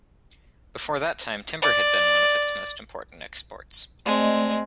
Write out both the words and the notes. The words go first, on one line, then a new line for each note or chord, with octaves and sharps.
Before that time, timber had been one of its most important exports.
D5
G#3 A3 C4 D5 D#5